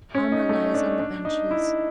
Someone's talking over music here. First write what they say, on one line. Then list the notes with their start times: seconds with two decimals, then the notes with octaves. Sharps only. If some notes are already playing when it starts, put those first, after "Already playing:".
Armor lies on the benches.
0.15 C#4
0.32 D#4
0.49 A3
0.74 D4
0.99 D4
1.25 D#4
1.51 E4